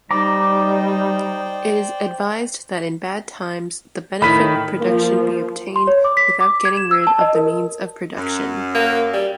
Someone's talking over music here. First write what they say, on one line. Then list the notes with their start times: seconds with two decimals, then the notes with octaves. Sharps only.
It is advised that in bad times the benefit of production be obtained without getting rid of the means of production.
0.11 G3 D#4 C5 D5 G5 A#5 D6
4.22 A2 D#3 B5 B6
4.80 F3 A#3
5.76 C6
5.87 C#5
6.04 D6
6.17 B6
6.41 D6
6.65 G#6
6.77 E7
6.91 E6
7.07 A5
7.21 D#5
7.35 A#4
8.17 F#2
8.75 A#3
9.13 G3